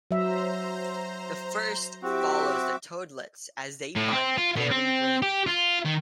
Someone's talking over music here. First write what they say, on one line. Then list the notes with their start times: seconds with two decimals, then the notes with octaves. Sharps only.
The first follows the Toadlets as they find the Fairy Ring.
0.11 F#3 C5 E5 A#5
2.02 C4 E4 F#4 G4 E5 D6
3.95 A2
4.12 C4
4.38 F4
4.56 B2
4.71 C4
5.22 G4
5.46 F4
5.86 D#3